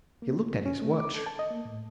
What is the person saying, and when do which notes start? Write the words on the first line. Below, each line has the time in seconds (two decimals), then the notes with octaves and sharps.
He looked at his watch.
0.22 A#3
0.39 A#3
0.53 G#3
0.66 C#4
0.82 A3
0.98 D6
1.14 A4
1.26 A5
1.39 D#5
1.50 A#3
1.65 A2